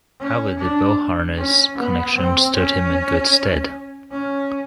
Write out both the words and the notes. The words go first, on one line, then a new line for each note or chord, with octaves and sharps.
However, the Beauharnois connection stood him in good stead.
C#4
D4
C#4
B3
C4
C#4
C#4